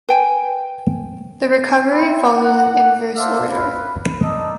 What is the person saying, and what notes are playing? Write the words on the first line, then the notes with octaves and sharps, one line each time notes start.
The recovery follows an inverse order.
B4 G5 G#5
C4 E4
F#5
A4 C5 D5 E5 F5
B4 F5
D4 D#4 A4 D#5